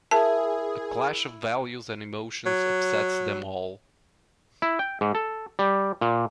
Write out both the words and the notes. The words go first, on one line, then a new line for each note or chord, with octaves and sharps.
A clash of values and emotions upsets them all.
E4 G#4 A#4 A5
F#3
E4
G5
G#2
A4
G3
A#2